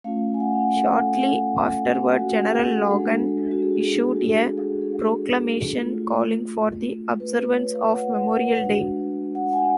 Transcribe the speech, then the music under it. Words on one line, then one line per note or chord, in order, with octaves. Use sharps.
Shortly afterward General Logan issued a proclamation calling for the observance of Memorial Day.
A3 C#4 F4 F5
G#5
F#5
A4
F#4
G#4
A4
G#4
G#3 D4 F#4 A4
F#4
G#4
F#4
G#4
F#4
F#4
G#4
A4
A4
A3 F4
B4
C#5
F5
F#5
G#3 D4 F#4
F#5
G#5